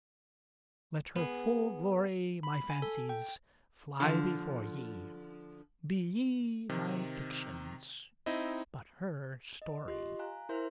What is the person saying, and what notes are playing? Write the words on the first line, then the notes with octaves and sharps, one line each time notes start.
Let her full glory, My fancies, fly before ye; Be ye my fictions:--but her story.
B3 G#4
B5
G#5
A4
G5
D3 F3
C3 D#3
C4 D#4 E4 D#5
D#5
F4 G4 D#5 C6
F5 G#5 A#5 F#6
E4 A#4 C5 E5 C6 G6